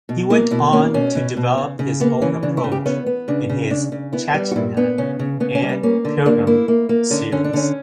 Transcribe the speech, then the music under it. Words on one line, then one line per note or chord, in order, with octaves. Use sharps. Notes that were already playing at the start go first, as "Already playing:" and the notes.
He went on to develop his own approach in his "Chaitanya" and "Pilgrim" series.
B2
A#3 E4
B2 E4
A#3 C#4
B2 C#4
B2
B2
C#3
C#3
A#3 B3
E3 C#4
C#3 D4
E4
C#3
G4
B3 C#4
B3
C#3 D4
C#3
C#3 D4
C#3
B3 E4
G3
F#4
A#2 E4
B3 D4
C#3 C#4
C#3
C#3 B3
C#4
G3
B3
A#3 C#4
D3
A#3 D4
A#3 E4
A#3
A#3
D3 C#4
D3 C#4
D4
D3 C#4